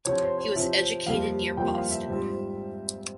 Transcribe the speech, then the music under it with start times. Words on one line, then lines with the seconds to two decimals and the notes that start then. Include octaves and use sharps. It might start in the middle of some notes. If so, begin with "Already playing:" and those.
He was educated near Boston.
0.05 C3 F3 C4 F4 C#5
0.21 C5
0.38 C#5
0.55 C3 F3 C4 F4 E5
1.06 F2 C3 G3 A#3 F4 F5
1.57 F2 C3 G3 A#3 F4 G5
1.75 F5
1.91 E5
2.08 G#2 G3 C4 F4